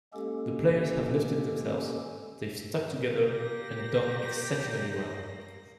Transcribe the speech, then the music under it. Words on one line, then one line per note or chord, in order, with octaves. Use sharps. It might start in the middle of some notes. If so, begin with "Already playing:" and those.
The players have lifted themselves - they've stuck together and done exceptionally well.
G#3 A#3 C#4 G4 A4
A#3 G4 A#6